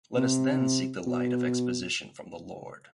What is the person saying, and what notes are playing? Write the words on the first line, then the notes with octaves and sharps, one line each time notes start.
Let us then seek the light of exposition from the Lord.
C3
B2